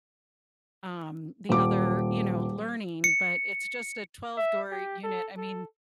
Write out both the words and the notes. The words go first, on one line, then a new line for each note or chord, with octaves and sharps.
um, the other, you know, learning, but it's just a twelve-door unit. I mean,
D#1 D6
C#7
E5
G4
A4
A4